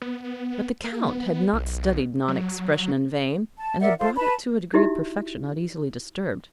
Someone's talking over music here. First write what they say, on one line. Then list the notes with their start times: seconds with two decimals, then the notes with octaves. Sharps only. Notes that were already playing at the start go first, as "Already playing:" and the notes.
But the Count had not studied non-expression in vain, and had brought it to a degree of perfection not easily disturbed.
0.02 B3
0.84 A#3
1.07 B3
1.53 B1
2.28 F#3
3.58 A5
3.81 A#4 D5 E5 F#5
3.99 F4 A4 C5 F5
4.16 B4 A5 B5
4.74 D#4 E4 F#4 G4 E5